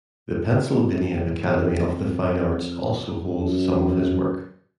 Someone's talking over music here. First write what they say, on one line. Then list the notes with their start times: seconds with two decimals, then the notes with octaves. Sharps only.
The Pennsylvania Academy of the Fine Arts also holds some his work.
0.79 F2
1.11 E2
1.43 E2
1.75 F2
3.36 F#2